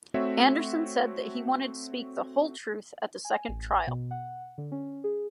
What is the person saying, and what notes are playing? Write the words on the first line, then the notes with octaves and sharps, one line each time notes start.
Anderson said that he wanted to speak the whole truth at the second trial.
A3 C4 F#4 C#5 E5
G#5
A1
B2
F#5
D3
C#4
G#4